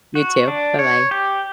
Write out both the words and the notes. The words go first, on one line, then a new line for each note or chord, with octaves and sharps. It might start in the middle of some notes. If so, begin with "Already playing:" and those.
You too, bye-bye.
F#4
D4
C#5
G4